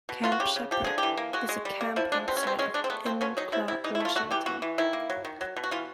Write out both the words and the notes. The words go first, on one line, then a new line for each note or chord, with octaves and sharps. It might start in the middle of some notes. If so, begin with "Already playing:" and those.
Camp Sheppard is a camp outside of Enumclaw, Washington.
B2
B2 F4
F#4
C#3 G4
C#3
F3 G4
D3 G#4
G4
E3
A#3
G#3 F#4
G#3
G3
A#3
F3 E4
G#3 D4
B2 C4
C#4
B2 C4
G#3 C#4
G#3 D4
C4
A3 B3
F3 C4
B2 C#4
F#3 D#4
C3 E4
C3 E4
E3 D#4
E4
A3 F4
A3 F#4
E3 G4
E3 F#4
E3
D#3 E4
A#3
F#3
D#3
F#3
B2
F#4
E3 F4